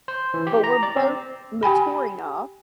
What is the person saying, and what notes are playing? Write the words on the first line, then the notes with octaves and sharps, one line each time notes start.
but we're both mature enough
C5
E3
G4
A#5
D5
C4
G4 G5 G#5 B5